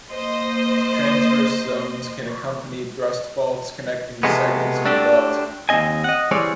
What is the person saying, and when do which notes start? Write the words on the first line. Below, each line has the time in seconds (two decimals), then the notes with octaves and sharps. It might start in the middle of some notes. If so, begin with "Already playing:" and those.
Transverse zones can accompany thrust faults connecting the segments of the belt.
0.11 A#3 C5 D#5
4.23 C3 F3 G#3 A3 B3
4.85 A3 D4 F#4 G4 A4
5.69 D#2 E3 C4 D#5 G#5
6.04 D#5 F#5
6.31 E3 G3 G#3 C4 C#5 D5